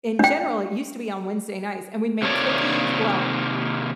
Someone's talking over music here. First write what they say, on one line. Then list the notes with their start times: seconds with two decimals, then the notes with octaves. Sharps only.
in general, it used to be on Wednesday nights, and we'd make cookies well,
0.19 D4 G5
2.22 C3 D#3 A#3 A4 C#5 D5